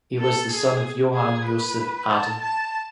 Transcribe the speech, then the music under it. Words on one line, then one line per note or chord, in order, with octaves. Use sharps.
He was the son of Johann Josef Adam.
A4
G#4
G#4
B4
A5
A5